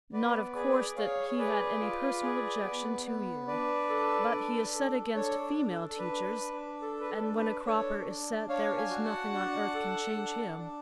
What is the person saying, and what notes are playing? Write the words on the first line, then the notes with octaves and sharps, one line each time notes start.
Not, of course, that he had any personal objection to you, but he is set against female teachers, and when a Cropper is set there is nothing on earth can change him.
B3 B4 D5
G#4 B4 D5
G#4 C#5 F5
C#5
G#4 B4 D5
F4
G#4
B3
B3
D4 B4 D5
A4
D4
A4
D4 A4 C#5
D4
A4
A4
D4 B4
D4
A4
B4
A4
D4
B4
D4 A4 C#5
D4
D4 C#5 F5
F5 G#5
F#4
F#5 A5
D4
A4
D4
D4